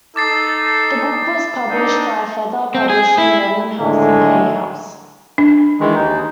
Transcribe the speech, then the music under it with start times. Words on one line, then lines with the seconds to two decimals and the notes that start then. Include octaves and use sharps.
The book was published by Feather Publishing, Random House, and Hay House.
0.16 D#4 A4 D6 A6 C7
1.69 C4 D4 D#4
2.75 C4
2.90 G#4
3.18 E4
3.80 A2 D3 D#3 G#3 A3
5.38 D4
5.80 D#3 E3 G#3
5.95 D#2 D#4